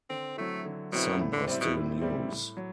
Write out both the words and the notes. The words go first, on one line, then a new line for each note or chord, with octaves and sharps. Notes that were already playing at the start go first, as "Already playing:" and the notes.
Some are still in use.
D3 C4
F#3 A3 C4 E4
D3
B2 F#3 C4 E4
A2
D3
C3 G3 C4 E4
B2
A2
G3 C4 E4
A2
F#3